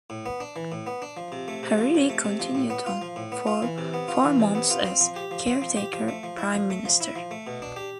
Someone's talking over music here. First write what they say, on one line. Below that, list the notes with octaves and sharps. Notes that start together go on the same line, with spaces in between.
Hariri continued on for four months as caretaker Prime Minister.
A2
B3
D4
E3
A2
B3
D4
F3
C3
A3
C3
F3
C3
A3
C3
F3
A2
B3
F4
F3
A2
B3
F4
E3
C3
B3
F4
E3
C3
B3
F4
C4
F3
G4
F3
C4
F3
G4
F3
A3
F3
E4
F3
A3
F3
E4
F3
A3
B2
D4
G4